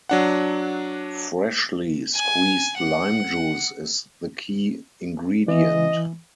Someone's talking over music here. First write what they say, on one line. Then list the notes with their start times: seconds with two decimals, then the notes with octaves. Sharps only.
Freshly squeezed lime juice is the key ingredient.
0.09 F#3 D4 F#5
2.15 G#5
2.78 F#5
5.48 E3 D#5